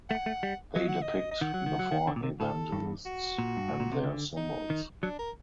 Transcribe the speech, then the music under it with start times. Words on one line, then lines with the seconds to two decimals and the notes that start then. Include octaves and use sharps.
They depict the Four Evangelists and their symbols.
0.09 A3 F#5
0.26 A3
0.43 G3
0.75 F#3 D#5
0.88 F#5
1.02 D#5
1.31 D#5
1.41 D#3 F#5
1.54 F#3
1.66 D#3
1.79 F#3
1.92 D#3
2.07 D3
2.16 A#2
2.23 C3
2.40 A2 A4
2.72 G2
3.06 F#4
3.38 A#2
3.57 G2
3.69 A2
3.80 A#2
3.92 C3
4.03 D3
4.37 D#4
4.70 D#3
5.03 F#3 D4
5.19 A#4